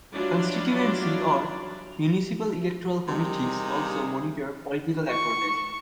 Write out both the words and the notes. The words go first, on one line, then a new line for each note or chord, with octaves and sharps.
Constituency or municipal electoral committees also monitor political advertising.
F#3 G3 D4 E4 F4 D5
C3 G3 A#3 D#4 G#4
C#6